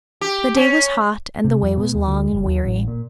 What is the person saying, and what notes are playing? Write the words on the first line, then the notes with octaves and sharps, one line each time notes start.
The day was hot, and the way was long and weary.
G4
C#4
C3
F2
B2
D#2
D2
F#1
D#2
A1
A#2